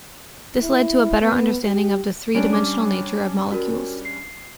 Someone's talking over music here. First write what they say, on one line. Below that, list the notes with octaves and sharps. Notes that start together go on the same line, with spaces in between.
This led to a better understanding of the three-dimensional nature of molecules.
E4
B3
G4
G3 C#4 D4 D7
D6
F#4 A#4
C7